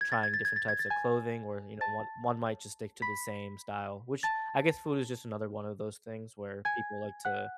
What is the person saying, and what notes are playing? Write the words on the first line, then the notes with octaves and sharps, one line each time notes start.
trying different types of clothing where, you know, one one might just stick to the same style, which I guess food is just another one of those things where people like to
G#6
A6
G#6
A6
G#6
A6
G#6
A6
G#5 G#6
A5 A6
B5 B6
A5 A6
G#5 G#6
F#5 F#6